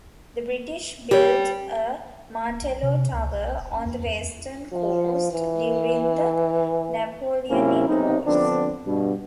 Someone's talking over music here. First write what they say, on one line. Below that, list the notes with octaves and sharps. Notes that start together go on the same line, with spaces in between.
The British built a Martello tower on the western coast during the Napoleonic Wars.
G3 G4 C#5
D1
A#1
C3
C#2
B1
D#1
G#1
E2
E2
F3
E3
G#2 C3 F#3 A#3 C#4 E4
B1 C3 D#4
D3 F3 B3 C4 D4
G2 B2